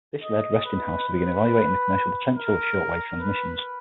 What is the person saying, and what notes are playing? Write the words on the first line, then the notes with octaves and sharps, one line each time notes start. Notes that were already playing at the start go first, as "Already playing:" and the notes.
This led Westinghouse to begin evaluating the commercial potential of shortwave transmissions.
D#5
B4
B4
A#4
B4